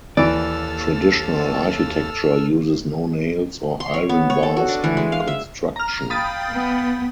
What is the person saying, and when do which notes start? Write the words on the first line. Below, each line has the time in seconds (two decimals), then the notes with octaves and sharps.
Traditional architecture uses no nails or iron bars in construction.
0.17 D#2 E3 A4 D5 E6 F6 A6
3.80 C6
3.94 C#5
4.09 B3
4.30 C#5
4.43 A4
4.57 F#4
4.69 D4
4.84 E3
4.97 G#3
5.12 F5
5.27 E5
5.76 A#5 F6
6.10 F5 G5 B5 D#6 A6
6.51 B3